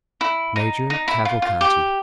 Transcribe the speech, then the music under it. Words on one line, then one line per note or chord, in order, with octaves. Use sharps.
"Major Cavalcanti."
E4
D#4
D#4
E4
F4
F4
G4